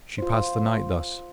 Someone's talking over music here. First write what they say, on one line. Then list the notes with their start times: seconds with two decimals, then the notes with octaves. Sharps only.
She passed the night thus.
0.18 F4 C5